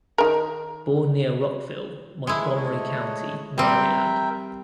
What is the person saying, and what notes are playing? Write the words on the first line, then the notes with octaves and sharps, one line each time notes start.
Born near Rockville, Montgomery County, Maryland.
D#3 A#4
G#3 A3 E4
A3 C#5 D#5
G3 C4 A#4 E5 G5